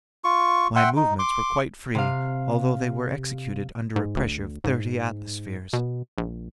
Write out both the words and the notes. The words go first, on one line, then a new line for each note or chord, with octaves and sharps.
My movements were quite free, although they were executed under a pressure of thirty atmospheres.
F4 C#6
E5 F#5 G5 C6
D#4
C6 D6
C3 F5
G#2
D2
G#2
B2
A#1